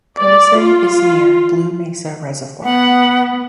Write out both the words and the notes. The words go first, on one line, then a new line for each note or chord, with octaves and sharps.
Gunnison is near Blue Mesa Reservoir.
D5
F4
B3 F#5